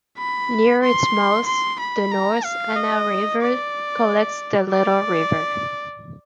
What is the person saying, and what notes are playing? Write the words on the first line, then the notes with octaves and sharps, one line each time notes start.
Near its mouth the North Anna River collects the Little River.
B5
C6
C6
B5
A#5
F5
D#5
D5
D5